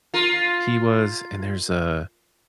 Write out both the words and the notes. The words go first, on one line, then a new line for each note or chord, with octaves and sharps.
He was, and there's a
F4 A#4